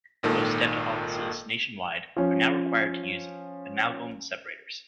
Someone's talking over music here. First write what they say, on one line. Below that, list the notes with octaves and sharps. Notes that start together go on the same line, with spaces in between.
Most dental offices nationwide are now required to use amalgam separators.
G#1 A#2 D#3 A4
F3 C#4